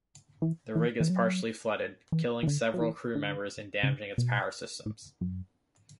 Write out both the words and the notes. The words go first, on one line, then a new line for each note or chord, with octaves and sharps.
The rig is partially flooded, killing several crew members and damaging its power systems.
E3
E3
E3
F#3
E3
E3
D3
F#3
E3
D3
C#3
B2
A2
F#2